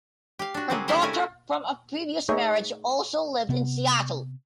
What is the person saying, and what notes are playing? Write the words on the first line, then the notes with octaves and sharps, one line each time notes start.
Her daughter from a previous marriage also lived in Seattle.
G4 F5
D4 F#4
C#3 F#3 A#3 C4 G#4
D3 G#3 A3 E4 G4 C5
A3 C#4 E4 A#4 G#5
F#4
A3 D#4 G#4 C#5 E5 A#5
C3 B3